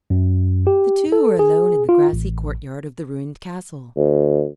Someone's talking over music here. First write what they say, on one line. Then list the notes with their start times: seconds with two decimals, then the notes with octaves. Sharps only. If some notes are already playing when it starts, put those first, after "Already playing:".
The two were alone in the grassy courtyard of the ruined castle.
0.10 F#2
0.67 G4
1.12 A4
1.39 G#4
1.89 F4
2.13 A1
3.96 D2